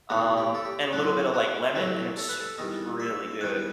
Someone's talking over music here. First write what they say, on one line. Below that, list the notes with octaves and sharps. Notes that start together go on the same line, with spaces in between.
um, and a little bit of, like, lemon, and it was super was really good.
E2 B2 A3 D#4 F#4
G4
A4
G4
A2 F#3 A3 F#4
F#4
A2 F#3 A3 G4
A4
B4
A4
E2 D#3 G3 D#5
E5
E2 D#3 G3 F#5